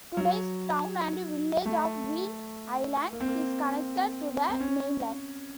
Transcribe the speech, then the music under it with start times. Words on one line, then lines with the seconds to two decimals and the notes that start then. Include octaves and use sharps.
Today's town and village of Green Island is connected to the mainland.
0.17 F#3
1.65 A3
3.12 A#3
3.20 C4
3.28 A#3
4.49 C4
4.60 C#4